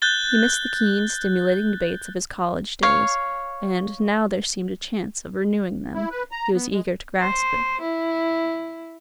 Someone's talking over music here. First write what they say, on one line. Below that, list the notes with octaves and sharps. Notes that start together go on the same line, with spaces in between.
He missed the keen, stimulating debates of his college days and, now there seemed a chance of renewing them, he was eager to grasp it.
F#6 G6 A6 G7
C#5 F5
E4
B4
A#5
B3
G#3
C5
E4